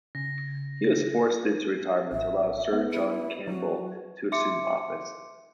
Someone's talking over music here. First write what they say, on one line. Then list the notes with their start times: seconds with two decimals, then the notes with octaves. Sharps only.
He was forced into retirement to allow Sir John Campbell to assume office.
0.15 C#3 A#6
2.12 A1 E5
2.73 B3
2.91 E4
3.47 F#3 F#4
4.32 E5 C6 D6 C#7